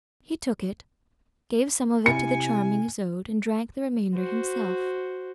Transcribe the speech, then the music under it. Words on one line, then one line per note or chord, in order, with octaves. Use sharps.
He took it, gave some of it to the charming Isoude, and drank the remainder himself.
C3 E4 G#5 C#7
F#4 C5